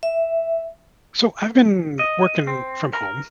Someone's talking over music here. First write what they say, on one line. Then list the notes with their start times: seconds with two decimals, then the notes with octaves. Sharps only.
So, I've been working from home
0.03 E5
1.99 D#5
2.47 C4
2.93 A#4